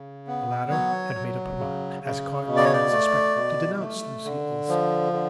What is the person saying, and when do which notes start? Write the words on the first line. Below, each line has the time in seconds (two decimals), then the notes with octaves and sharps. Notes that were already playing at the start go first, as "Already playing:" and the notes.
The latter had made up her mind, as Carton had suspected, to denounce Lucie also.
Already playing: C#3
0.27 B3
0.70 F#3 C#5
1.14 F#3
1.59 C#3
2.04 C#3
2.47 B2
2.57 D5
2.64 C#5
2.73 D5
2.92 A3
3.36 B2
3.80 A3
4.25 D3
4.68 F3
5.13 D3